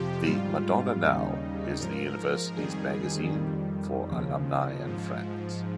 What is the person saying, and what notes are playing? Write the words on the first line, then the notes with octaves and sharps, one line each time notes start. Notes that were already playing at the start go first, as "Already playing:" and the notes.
The "Madonna Now" is the university's magazine for alumni and friends.
Already playing: F2 C3 F3 G4
G#2 G3 F4
D#2 C#3 G3 D#4
G#2 F3 A#4
F2 D#3 G3 G#4
F2 D#3 G3
D#2 C#3 F3
G#2 F3